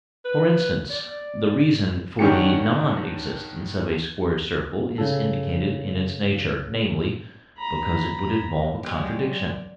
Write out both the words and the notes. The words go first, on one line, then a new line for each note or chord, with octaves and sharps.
For instance, the reason for the non--existence of a square circle is indicated in its nature, namely, because it would involve a contradiction.
B4
D5
G2 D3 D#3 C#4 G4 C#7
C#3 A4
A#5 B5
F#3 G#3 G4 D5